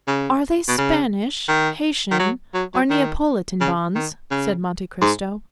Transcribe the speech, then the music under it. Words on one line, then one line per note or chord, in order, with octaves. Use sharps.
"Are they Spanish, Haitian, or Neapolitan bonds?" said Monte Cristo.
C#3
B2
C#3
D#3
D#3
F#3
F#3
F#3
D#3
C#3
D#3
C#3
G#2